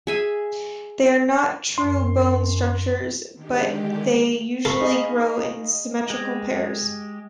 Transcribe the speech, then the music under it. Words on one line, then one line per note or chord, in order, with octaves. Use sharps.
They are not true bone structures but they usually grow in symmetrical pairs.
G#4 E5 G#5
F#2 C6
D3 D#3 G#3 G4
A4 F5 B5 C#6
D#4 G#4 D#5
G#3 G4